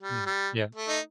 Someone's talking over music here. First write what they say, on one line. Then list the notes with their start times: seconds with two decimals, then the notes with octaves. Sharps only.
Mhm, yeah.
0.01 G3
0.26 G3
0.75 A3
0.89 D#4